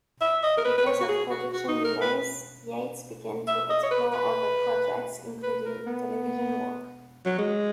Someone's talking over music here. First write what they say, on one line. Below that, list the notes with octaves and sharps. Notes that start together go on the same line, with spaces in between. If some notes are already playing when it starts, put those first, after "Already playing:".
Because of production delays, Yates began to explore other projects including television work.
E5
D#5
A#4
B4
B4
C#5
F#4
G#4
F#4
F#4
D#4
A#4
B4
E5
D#5
C#5
B4
B4
B4
A#4
B3
F#3
G#3